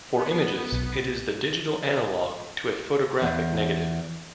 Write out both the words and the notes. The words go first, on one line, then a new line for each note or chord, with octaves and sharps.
For images, it is the digital analogue to a photographic negative.
B3
B1
E2